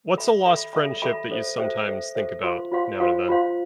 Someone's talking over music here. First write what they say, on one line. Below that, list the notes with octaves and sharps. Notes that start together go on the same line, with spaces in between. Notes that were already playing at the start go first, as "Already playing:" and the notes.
what's a lost friendship that you sometimes think about now and then?
A4 E5 B5
A4 E5 B5
A4 E5 B5
A4 E5 B5
A4 C5 E5
A4 C5 E5
A4 C5 E5
A4 C5 E5
F4 C5 F5 C6
F4 C5 F5 C6
F4 C5 F5 C6
F4 C5 F5 C6